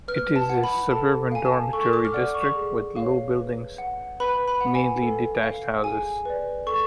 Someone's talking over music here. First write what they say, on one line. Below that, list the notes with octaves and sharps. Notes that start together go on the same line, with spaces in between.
It is a suburban dormitory district with low buildings, mainly detached houses.
B4 F6
A5
F#5
B5
A4 A5
F5 G#5
A5
A4 C#6
D6
F6
D5 F#5 D6
C#6
G#4
C#5 F5
B4
F#5
B4 B5
B5
F#5
G#5
A4
F5
G#4 G#5
B4 D5
A4 C#6